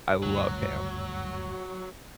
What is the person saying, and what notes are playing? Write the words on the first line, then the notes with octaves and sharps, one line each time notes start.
I love ham,
F#1 D2 G2 F#3